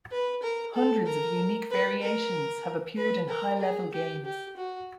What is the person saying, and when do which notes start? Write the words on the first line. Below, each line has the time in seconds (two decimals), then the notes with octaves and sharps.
Hundreds of unique variations have appeared in high-level games.
0.12 B4
0.43 A#4
0.75 A4
1.06 A#4
1.70 B4
2.02 A#4
2.97 B4
3.29 A#4
3.61 G#4
3.94 G4
4.25 G4
4.57 F#4